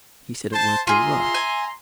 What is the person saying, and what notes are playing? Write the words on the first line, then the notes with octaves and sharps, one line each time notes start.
He said it worked all right.
C5 A5
F4 G#4 E5 A#5 C6
G#5